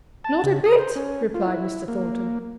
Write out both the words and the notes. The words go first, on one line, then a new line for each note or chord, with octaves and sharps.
'Not a bit,' replied Mr. Thornton.
A5
C#3
D#6
C5
C#4
F4
E4
A#3